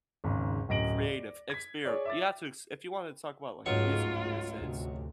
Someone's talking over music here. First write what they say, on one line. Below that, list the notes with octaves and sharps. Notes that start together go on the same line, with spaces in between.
creative, experi You have to ex if you wanna talk about, like, music in a sense,
G#1 D#2 G#2 C#3
D1 F#2 D#5 A#6 D7 F#7
D5
G#6 B6
G#4 C#5 D5
E5 D6 A6
C#2 G#2 F#3 A3 F4 C#6
D2 C3